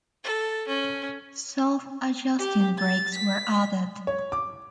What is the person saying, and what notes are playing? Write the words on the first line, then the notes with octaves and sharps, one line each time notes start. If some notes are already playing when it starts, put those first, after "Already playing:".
Self-adjusting brakes were added.
A4
C#4
G4
A6
B6
C#5
D6